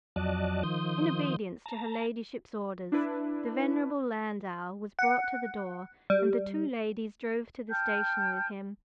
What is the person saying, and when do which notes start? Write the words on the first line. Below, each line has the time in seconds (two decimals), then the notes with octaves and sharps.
In obedience to her ladyship's orders, the venerable landau was brought to the door; and the two ladies drove to the station with him.
0.16 F2 F#3 D5 D#5 A5 F#6
0.63 D#3 F3 C6 D#6 G6
1.66 A5 A#5
2.92 D4 E4 B4
4.99 F#5
6.10 G3
7.70 G5 A5 F6 G6